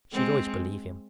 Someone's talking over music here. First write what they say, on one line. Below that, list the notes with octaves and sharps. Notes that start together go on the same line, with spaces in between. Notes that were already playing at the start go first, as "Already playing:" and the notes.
She'd always believe him.
G#3 C4